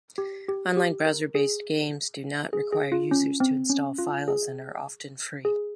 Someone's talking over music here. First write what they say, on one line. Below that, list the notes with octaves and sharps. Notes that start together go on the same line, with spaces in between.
Online browser-based games do not require users to install files and are often free.
G4
G4
G4
A#4
G#4
G#4
G#4
F4
C#4
C4
C#4
F4
G#4
G#4